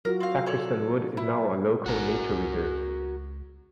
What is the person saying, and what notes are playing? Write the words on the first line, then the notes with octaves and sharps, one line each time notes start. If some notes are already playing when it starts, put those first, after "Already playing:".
Sacriston Wood is now a local nature reserve.
F#3 F4 F#4 A#4
C4 F5
A4 C#5 D5
E4
A1 F#4 A#4
C#2